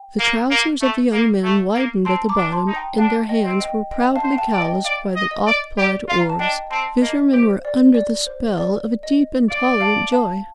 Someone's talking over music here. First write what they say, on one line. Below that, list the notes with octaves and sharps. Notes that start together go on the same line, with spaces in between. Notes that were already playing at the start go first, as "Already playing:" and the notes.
The trousers of the young men widened at the bottom, and their hands were proudly calloused by the oft-plied oar. Fishermen were under the spell of a deep and tolerant joy.
Already playing: G5
A#3
A#3
A3
A#3
A3
A#3
C4 A5 C6
A#5 D6
D4
A5 C6
D#4
G5 A#5
D4 F5 A5
D#5 G5
C4
D#5 G5
D#5 G5
F5 A5
C5
G5
F5 A5
D5
D#5 G5
D5 F5
D#5
D#5
D5
G4 D5
F4 F5
A#5
A5
D4 D#5 G5
C4 A5 C6
A#3 D#5
G4 C5
D5
D5
C5
D5
D#5
D5 F5
F5 A5
F5 A5